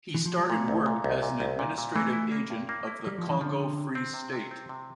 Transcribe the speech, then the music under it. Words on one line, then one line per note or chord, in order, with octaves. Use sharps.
He started work as an administrative agent of the Congo Free State.
E3
F3
G3
A#2 A3
C2
A#2
C2
A#2
C2
A#2
A#2
E3 A3
E4
A#3
G2
A#3
E4
G3 A#3
G2 F3
E3
D3 F3
C3
C3
C4
C3
C3
C4
C3